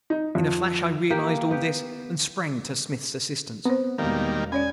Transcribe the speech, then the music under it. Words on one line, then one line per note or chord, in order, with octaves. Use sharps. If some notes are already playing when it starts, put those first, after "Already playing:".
In a flash I realized all this and sprang to Smith's assistance.
D#4
F2
A#3 G4
B3 G4
B3 C4 C5
E1 D#3 G3 A#3 F5
C#4 C#5 D5 G#5